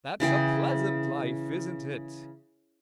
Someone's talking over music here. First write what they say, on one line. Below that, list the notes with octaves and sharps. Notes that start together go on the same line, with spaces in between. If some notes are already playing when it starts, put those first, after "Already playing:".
'That's a pleasant life, isn't it?
C#3 E3 G#4 G5